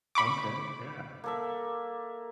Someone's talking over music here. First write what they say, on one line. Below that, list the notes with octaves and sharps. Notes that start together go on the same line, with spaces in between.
Okay. Yeah.
B5 C#6 D6
A#3 A4 E5